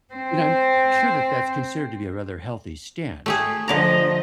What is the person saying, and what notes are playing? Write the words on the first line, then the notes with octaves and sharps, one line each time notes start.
and I'm sure that that's considered to be a rather healthy stance,
C4 C5
A3 G4 G#4
D3 F3 D5 D#5 A#5